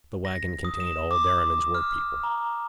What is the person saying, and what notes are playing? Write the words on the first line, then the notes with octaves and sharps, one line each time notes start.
The waggon contained all Derriman's workpeople.
A#6
D#6
E7
D6
F6
A#5